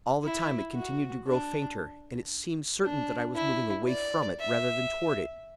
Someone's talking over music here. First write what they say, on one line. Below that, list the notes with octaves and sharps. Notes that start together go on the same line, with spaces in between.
All the time it continued to grow fainter, and it seemed certain that I was moving away from it rather than toward it.
E4
F#4
D4
D4
E4
D5
E5